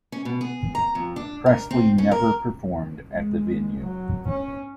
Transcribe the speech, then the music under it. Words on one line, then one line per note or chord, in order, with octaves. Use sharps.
Presley never performed at the venue.
C#4
B2
G#4
A#5
F2
D4
A#4
C4
C#4
A#4
G#3
F#3
C#4